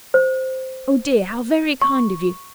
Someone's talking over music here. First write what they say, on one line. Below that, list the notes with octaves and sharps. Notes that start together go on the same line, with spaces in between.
Oh dear, how very kind of you!
C5
C#6